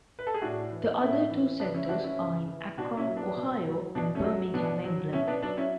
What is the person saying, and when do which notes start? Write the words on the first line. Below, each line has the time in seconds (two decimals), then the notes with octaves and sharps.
The other two centers are in Akron, Ohio and Birmingham, England.
0.19 B4
0.27 A4
0.34 G#4
0.42 A2 D4 F#4
0.72 E3
1.01 A2 C#4 E4
1.31 E3
1.60 C#3 B3 D4
1.74 C#4 E4
1.85 E4
1.89 E3 D4 F#4
2.04 C#4 E4
2.19 C#3
2.48 E3
2.77 B2 D4 F#4
2.97 C#4 E4
3.07 F#3
3.17 B3 D4
3.36 B2
3.66 F#3
3.95 B2 B3 D4
4.15 A3 C#4
4.24 F#3
4.54 B2 B3 D4
4.84 F#3
5.13 B2 C#4 E4
5.27 B3 D4
5.42 F#3 B3 D4
5.57 C#4 E4